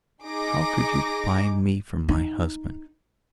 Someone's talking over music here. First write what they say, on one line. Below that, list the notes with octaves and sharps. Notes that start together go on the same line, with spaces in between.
How could you buy me from my husband?
D#4 G#4 D6 A#6
D#4